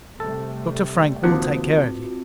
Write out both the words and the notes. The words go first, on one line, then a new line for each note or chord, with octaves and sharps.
Dr. Frank will take care of you.
C3 G3 A3 A4
D#2 F3 C4 F4 F#4 F#5